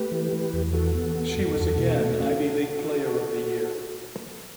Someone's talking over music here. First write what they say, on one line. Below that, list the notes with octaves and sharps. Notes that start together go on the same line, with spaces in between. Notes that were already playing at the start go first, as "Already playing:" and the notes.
She was again Ivy League Player of the Year.
Already playing: A3 G4 B4
E3
E3
E2
E3 F#4 A4
B3
B3
F#2
E2
B2
A3
C#4